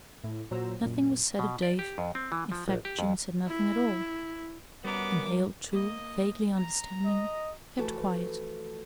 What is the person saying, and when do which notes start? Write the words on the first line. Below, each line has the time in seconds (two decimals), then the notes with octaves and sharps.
Nothing was said of Dave--in fact, June said nothing at all, and Hale, too, vaguely understanding, kept quiet.
0.24 A2 E4
0.51 A#2 F#3 C5 A#5 E6
0.82 F#2 A#2
1.39 B2
1.62 D5
1.79 G4
1.98 F2
2.15 C4
2.32 E3
2.52 F3
2.68 A#1
2.85 G4
2.99 F2
3.47 E4
4.84 F#2 G3 B3 A#4 D6
5.69 A#3 D#5
6.57 A#5
7.06 D#5
7.78 E3 F3 A3 F#4 A4 B4